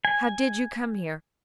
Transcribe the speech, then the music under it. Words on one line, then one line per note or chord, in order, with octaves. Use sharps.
How did you come here?
G#5